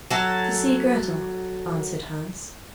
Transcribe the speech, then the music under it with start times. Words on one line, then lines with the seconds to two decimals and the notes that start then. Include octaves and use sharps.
'To see Grettel,' answered Hans.
0.10 F#3 A4